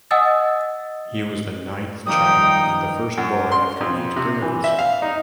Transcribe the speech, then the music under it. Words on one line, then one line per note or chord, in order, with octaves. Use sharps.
He was the ninth child and the first boy after eight girls.
D#5 F#5 G#5 D#6 E6 A6
D#3 F3 G3 D#4 G5 D#6
F#2
C6
F2
C3
E3
E5
F5
D#4